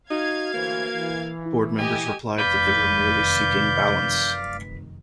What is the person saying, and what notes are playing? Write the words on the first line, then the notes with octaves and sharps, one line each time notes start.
Board members replied that they were merely seeking balance.
D#4 F#4 F5 G#6
D2 E3 A#3 C5
E3
E4
G4 D#5 G#5
F1 F#2 D#3 B4 D5 F5 G6